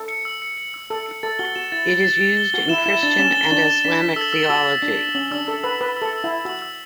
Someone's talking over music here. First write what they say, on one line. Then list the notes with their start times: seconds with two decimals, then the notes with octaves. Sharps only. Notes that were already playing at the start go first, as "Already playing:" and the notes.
It is used in Christian and Islamic theology.
Already playing: A4
0.08 C#7
0.25 E6
0.42 C#7
0.58 C#7
0.74 E6
0.90 A4 E6
1.06 C#7
1.23 A4 A6
1.39 F#4 G7
1.55 F#4 E7
1.72 E4 A6
1.89 A6
2.04 A6
2.21 A6
2.37 G7
2.53 F#4 G7
2.69 E4 E7
2.86 E4 E7
3.03 D4 A6
3.18 C#4 E7
3.35 G7
3.51 D4 A6
3.68 G7
3.85 D4 B6
4.00 B6
4.16 A4 E6
4.33 E6
4.50 F#4 E6
4.66 E6
4.82 D4 B6
4.99 B6
5.15 C#4 F#7
5.31 D4 E6
5.47 A4 E6
5.63 B4 E6
5.80 B4 E6
5.97 E6
6.02 A4
6.13 E6
6.24 E4
6.30 E6
6.45 F#4 E6
6.62 E6